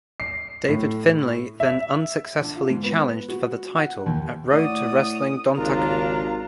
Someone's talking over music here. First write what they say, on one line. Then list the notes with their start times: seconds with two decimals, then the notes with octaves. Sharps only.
David Finlay then unsuccessfully challenged for the title at Road to Wrestling Dontaku.
0.20 C7
0.69 A2
1.60 E5
2.41 D3
2.56 F4
2.70 G#2
2.83 B3
3.29 F#4
3.76 F#5
4.06 D#2
4.52 A2 F#4 D5 D#6
5.57 G#1 D#2 C#3 D4 F4 A#4 A#5